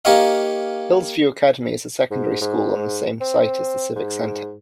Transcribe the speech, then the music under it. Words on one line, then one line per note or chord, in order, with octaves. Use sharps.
Hillsview Academy is a secondary school on the same site as the civic centre.
A#3 D#4 G4 C#5 D#5 F5
G#2
G#2
C4
G#2